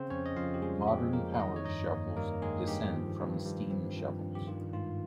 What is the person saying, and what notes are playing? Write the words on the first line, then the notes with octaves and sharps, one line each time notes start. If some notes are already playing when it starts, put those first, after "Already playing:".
Modern power shovels descend from steam shovels.
Already playing: C#3 C4 C5
F2 C#4 C#5
D#5
F2 F4 F5
G4
G3 G#3 G#4
C#3 G4
F2 A#3 A#4
D#3 D#4 D#5
C#5
G2 D#4 D#5
A#3
G3 A#3 A#4
D#3 G#3 G#4
G2 G4
F3
G2
G2
C4
F3
G2
G4
D#3 F4
G#2 F4